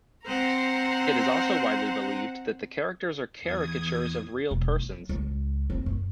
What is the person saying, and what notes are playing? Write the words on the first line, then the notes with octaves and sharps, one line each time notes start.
It is also widely believed that the characters are caricatures of real persons.
C4 C5 F#5 A#5
E2 D#6 G#6
E1
F#3
C#2
C4
F#2